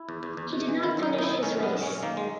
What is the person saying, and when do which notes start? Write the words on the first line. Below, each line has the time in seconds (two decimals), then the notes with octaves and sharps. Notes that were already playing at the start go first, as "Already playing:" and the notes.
He did not finish his race.
Already playing: E4
0.09 E2
0.23 E2
0.37 E2
0.53 E2
0.68 E3
0.83 D#3 E4
0.97 F#2
1.03 D#4
1.13 D#3
1.18 D#4
1.23 E4
1.28 D#3
1.43 D#3 C#4
1.57 F#2
1.63 B3
1.73 F#2
1.83 F#2 C#4
2.03 D#3 A#3
2.17 G#3